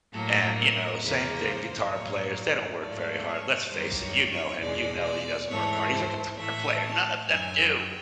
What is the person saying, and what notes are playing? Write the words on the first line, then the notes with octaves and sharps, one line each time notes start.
and, you know, same thing, guitar players, they don't work very hard. Let's face it, you know him. You know he doesn't work hard. He's a guitar player. None of them do.
A2 F#3 A#3 A4
A#4
E2 C#3 F3 A#3 B4
C5
A2 F#3 A#3 C#5
D5
G#2 F3 A3 D5
C#5
F#2 D#3 G3 A#3 C5
C#5
C#5
E2 B2 G#3 D5
D5
G#2 E3 A3 C#5
C5
A2 E3 A3 E5
A5
F#2 D3 F#3 G#5
G5